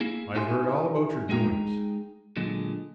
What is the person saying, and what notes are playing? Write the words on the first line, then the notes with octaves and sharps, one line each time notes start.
I've heard all about your doings.
A#3 E4 G#4
D#4 E4 G4 E5 G#5 C6
G#3 D#4 G#4 G5 A#5
A#2 D3 F#3 G#3